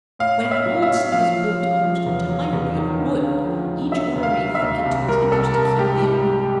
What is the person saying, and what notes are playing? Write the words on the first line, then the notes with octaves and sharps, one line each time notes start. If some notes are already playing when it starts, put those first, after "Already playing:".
When an old city is built almost entirely of wood, each owner may think it to his interest to keep the old buildings.
A2 F5
A2
E5
F#3
E5
A2
F3 F5
F3
C#3
F3
E2
F#3
E2
D#3
D2
C#3
F3
D2
F#3 E5
D#2
F5
F#3
E5
D#2
C2
G3 A#4
C2 A4
C2 A#4
G#2 G4
G3
G3